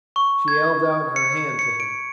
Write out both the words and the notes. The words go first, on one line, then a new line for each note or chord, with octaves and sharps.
She held out her hand to him.
C#6
G#6
C#7
C#7
D7